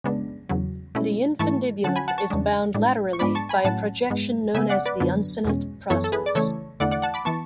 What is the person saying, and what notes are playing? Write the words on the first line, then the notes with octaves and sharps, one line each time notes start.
The infundibulum is bound laterally by a projection known as the uncinate process.
C#3 G#3 B3 D4
E2 C#3 F#3
B2 A3 C#4 E4
G#2 E3 A3 E4 A5 C#6
D3 F#3 C#4 F#5 A5
G#5 B5
F#5 A5
A5 C#6
E2 C#3 G#3 D4
A2 G#3 D4
C#6
G#2 G#3 B3 D4 B5 D6
A5 C#6
G#5 B5
A2 F#3 C#4 F#5 A5
G#2 G#3 B3
C#3 G#3 B3 E5 G#5
D5 F#5
B4 D5
F#2 D3 F#3 B3 D4
E2 B2 G#3 C#4
F#2 E3 B3 E4 A4 C#5
A4
G#4 B4
D5
C#3 E3 A3 A4 C#5
E2 D3 A3 E4 D5 F#5
D5 F#5
F#5 A5
B5 D6
E3 B3 A5 C#6